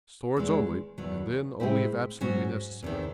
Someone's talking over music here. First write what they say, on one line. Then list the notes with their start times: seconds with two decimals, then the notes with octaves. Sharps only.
"Swords only, and then only if absolutely necessary."
0.37 E2 D#3 G#3
0.98 E2 D#3 F#3
1.60 A2 G#3 C4 E4
2.21 G#2 F#3 C#4 F#4
2.82 E2 C3 D#3